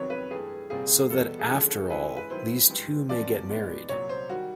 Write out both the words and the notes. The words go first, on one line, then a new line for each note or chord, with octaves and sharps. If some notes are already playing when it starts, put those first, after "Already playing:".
So that after all these two may get married.
Already playing: F2 C3 D#3 F#3 B3 C#5
B4
G2 E3 A3 G#4
C2 A#2 G3 C4 F4 G#4
E2 B2 G3 B3 A4
G#4
D3 F3 A3 C#4 A4
E3 G#3 C#4 E4 G#4 B4
B4
D#3 F#3 B3 E4 C5
G2 E3 G#3
E2 C3 F3 A#3 C#4 D5
B2 G#3 B3 D#4
C2 A#2 F#3 C#5
C5
D#3 G3 F#4